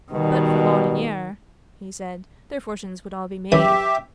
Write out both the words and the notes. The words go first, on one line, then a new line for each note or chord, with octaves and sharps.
But for Laudonniere, he said, their fortunes would all be made.
B2 D#3 G3
F#2 E3 G4 E5